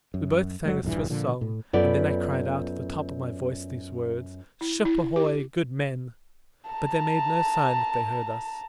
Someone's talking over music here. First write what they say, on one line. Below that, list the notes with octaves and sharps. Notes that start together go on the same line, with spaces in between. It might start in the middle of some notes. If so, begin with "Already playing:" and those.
We both sang a Swiss song, and then I cried out at the top of my voice these words: "Ship ahoy! good men!" But they made no sign that they heard us.
F#2
F#1 F#3 G#3
E1 A#1 G2 E3
A#2 D3 F3
A2
F#2 B3 F4 A4 B4 D5
E4
E4
G4
A5 A#5